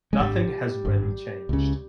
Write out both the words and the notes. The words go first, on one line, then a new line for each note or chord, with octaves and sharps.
Nothing has really changed.
G#3
G#1 G2 G3
G#1 G2
C#2 C#3